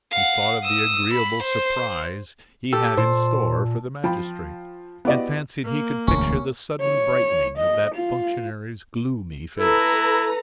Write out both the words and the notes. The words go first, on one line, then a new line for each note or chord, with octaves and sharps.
He thought of the agreeable surprise he had in store for the magistrate, and fancied he could picture the sudden brightening of that functionary's gloomy face.
F5 F#5
D#6 E6
B5
C5
G4 A4
A#2 C5
F3 G5 B5
B3 E4 F#4 G4 D5 D#5
A#3
E1 D2 C#4
C#5
D#5
F4
E4 A4 B4 A#5